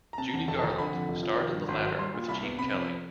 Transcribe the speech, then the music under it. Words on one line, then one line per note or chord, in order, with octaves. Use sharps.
Judy Garland starred in the latter with Gene Kelly.
A#5
C3 A5
E2
F1 A5
A5
F1 A#5
D3 B5
F2
F1
F3
D#3
G2
G#1 C6
F#3 C6
G3 C6
A#2
C2 B5
B3
C3 B5
F2